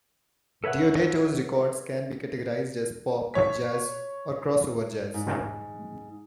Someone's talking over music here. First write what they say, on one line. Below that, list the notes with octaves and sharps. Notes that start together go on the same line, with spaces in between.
Deodato's records can be categorized as pop, jazz or crossover jazz.
A4 B4 C#5 E5 F#5
C#5 B6
G#2